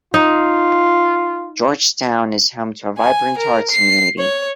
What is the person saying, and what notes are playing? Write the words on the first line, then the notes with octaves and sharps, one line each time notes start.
George Town is home to a vibrant arts community.
D#4 F4
G#5
A#4
C7
C#5